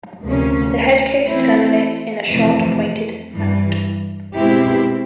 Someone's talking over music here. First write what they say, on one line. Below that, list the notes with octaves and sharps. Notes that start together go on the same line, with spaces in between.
The head-case terminates in a short pointed snout.
D2 C3 F3 A#3 C#4
E3 A3 C4 E4
F2 C3 E3 A3
G2 E3 G3
B2 G#3 C4 E4 G4